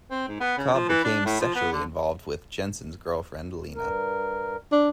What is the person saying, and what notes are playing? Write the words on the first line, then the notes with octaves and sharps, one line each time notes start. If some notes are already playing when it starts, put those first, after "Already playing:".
Cobb became sexually involved with Jensen's girlfriend Lena.
C4
G#2
B3
C#3
F3
E3
D4
A2
F3
B3
D3
G2 A#4
D4